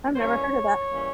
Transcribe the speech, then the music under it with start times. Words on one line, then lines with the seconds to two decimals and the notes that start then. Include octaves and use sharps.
I've never heard of that.
0.16 C5
0.20 E3 G3 A#3 C#4 C#5
0.89 E3 G3 A#3 C#4